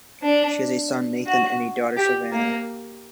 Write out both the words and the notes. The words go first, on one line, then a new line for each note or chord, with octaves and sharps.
She has a son, Nathan, and a daughter, Savannah.
D4
F#4
G4
A#3